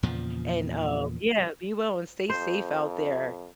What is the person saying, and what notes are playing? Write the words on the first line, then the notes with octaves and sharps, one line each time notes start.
and, uh, yeah, be well and stay safe out there.
E2 A#2 C#3 F3
F2 C5